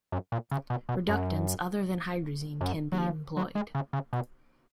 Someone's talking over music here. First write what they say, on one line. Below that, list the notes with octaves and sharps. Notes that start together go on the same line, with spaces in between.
Reductants other than hydrazine can be employed.
F#2
A#2
C#3
B2
B2
F#2
F#2
F#3
F3
F#3
G#3
C#3
C#3
B2